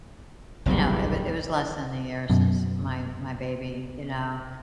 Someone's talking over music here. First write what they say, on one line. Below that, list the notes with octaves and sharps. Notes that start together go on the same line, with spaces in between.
you know, it w it was less than a year since my my baby, you know,
F#1 B1 E2 C3 G3
F#2 B2